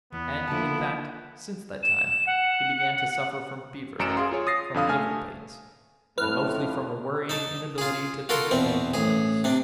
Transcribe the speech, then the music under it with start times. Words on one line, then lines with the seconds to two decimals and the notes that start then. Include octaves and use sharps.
And, in fact, since that time he began to suffer from fever, from liver pains, and mostly from a worrying inability to think of anything else.
0.12 E2 B3
0.48 D3 F3 A#3 E4 A5
1.82 E7
2.26 F#5
3.99 A1 F#2 A#5 C#7 D7 E7
4.17 G#4 F5 C6
4.31 F4 G#4 C#5
4.47 D#6 A6 A#6 C7
4.74 F2 D3 F5 D#6
4.88 A3 G#5 F6
6.18 F2 A2 B4 F6
7.29 D#4 A5
7.78 F4 G#4
8.29 F4 F#4 A4 A#4 C6
8.51 E2 B2 C4
8.94 A1 G#4
9.44 C3 D4